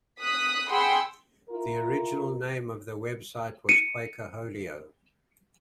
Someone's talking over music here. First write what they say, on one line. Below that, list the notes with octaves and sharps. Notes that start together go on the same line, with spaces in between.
The original name of the website was Quakeholio.
D#6 F#6 B6
G#4 F#5 G5 B5 C6 E6
E4 F4 A#4
C#7 D#7